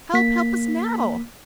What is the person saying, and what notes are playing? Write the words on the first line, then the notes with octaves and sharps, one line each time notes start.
Help, help us now!'
A#3 B6